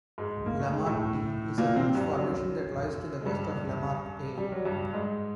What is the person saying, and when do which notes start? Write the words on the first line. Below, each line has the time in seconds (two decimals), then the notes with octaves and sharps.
Lamarck D is a huge formation that lies to the west of Lamarck A.
0.18 G#2 G#3
0.46 A#3
0.59 A3
0.73 G#3
0.86 A2 A3
1.58 A#2 A#3
1.76 C3 C4
1.95 G2 G3
2.14 F#2 F#3
3.21 G#3
3.25 G2 G3
4.37 G3
4.52 F#3
4.65 G2 G3
4.93 G#2 G#3